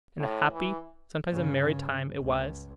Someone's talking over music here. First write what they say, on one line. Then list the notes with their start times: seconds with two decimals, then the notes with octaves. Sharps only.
And a happy, sometimes a merry time it was.
0.20 A2
0.52 E3
1.30 G2 C#3
2.21 C#2